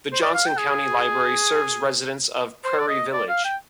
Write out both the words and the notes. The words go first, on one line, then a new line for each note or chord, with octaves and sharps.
The Johnson County Library serves residents of Prairie Village.
C5
D5
F5
G5
G#4
G#4
C5
D5
D#5
D5
F5
G5